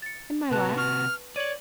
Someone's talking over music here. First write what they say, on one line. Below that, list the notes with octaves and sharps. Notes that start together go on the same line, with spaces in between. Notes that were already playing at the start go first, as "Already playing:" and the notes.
"In my lap."
A6 C#7
C3 F#4 B4 A5 F#6
C#6 F6
C#5 D5 D#7 F#7